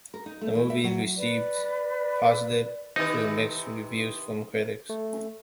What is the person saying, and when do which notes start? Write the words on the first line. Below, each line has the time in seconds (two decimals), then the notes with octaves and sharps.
The movie received positive to mixed reviews from critics.
0.14 A#4
0.26 D#4
0.41 A3
0.55 E3
0.70 E5
0.84 F#3
1.17 B4 D5
2.96 C3 D#3 E3 D#4
4.89 A3